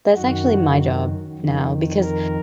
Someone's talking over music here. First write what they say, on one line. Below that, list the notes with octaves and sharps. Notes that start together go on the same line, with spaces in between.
that's actually my job now because
F#2 D#3 F#4
F2 D#3
A#4